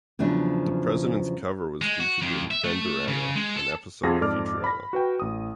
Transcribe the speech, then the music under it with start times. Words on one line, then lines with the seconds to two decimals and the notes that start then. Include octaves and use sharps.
The Presidents' cover was featured in "Benderama," an episode of "Futurama".
0.19 E2 C#3 F3 F#3 D4
1.82 G#3
2.00 F#4
2.22 F2
2.51 E5
2.64 A3
3.08 C#3
3.36 G#3
3.56 A4
4.04 F2 F4 G#4 F#5 A#6
4.21 F2 G#2 A4 D5 D6 F6
4.64 B5 A#6
4.93 F#4 B4 G5
5.20 A1 D#6